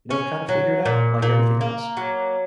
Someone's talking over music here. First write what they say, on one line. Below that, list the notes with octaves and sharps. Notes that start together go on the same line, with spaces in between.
know? Kind of figure it out like everything else.
C#4
F#3
A#2
A#2
A#3
F#3